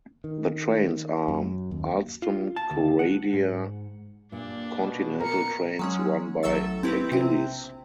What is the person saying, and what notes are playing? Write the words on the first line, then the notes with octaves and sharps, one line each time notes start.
The trains are Alstom Coradia Continental trains run by Agilis.
D#3
F#2
D#2
F4
A5
D2
F#5
G#2
G2 A#2 D4
B2
B3 A#4 C#7
F#3 G#3 C#4
A1 F#3 A4 E5 E6 A6
C4 E4 G4 B4
A#1 C3 C4